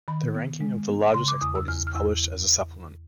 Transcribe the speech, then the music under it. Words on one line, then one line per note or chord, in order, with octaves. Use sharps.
The ranking of the largest exporters is published as a supplement.
D#3 B5
B3
G#3
B3
C#3 C6
D6
E2 D#6
E6
E2 F6
F6
E2 E6